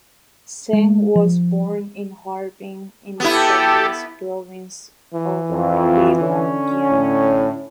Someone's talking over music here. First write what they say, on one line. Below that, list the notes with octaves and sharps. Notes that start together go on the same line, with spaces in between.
Zeng was born in Harbin in the Chinese province of Heilongjiang.
G#3
F3
B3 E4 G4 A4
E3
F2
D3 C#4
A2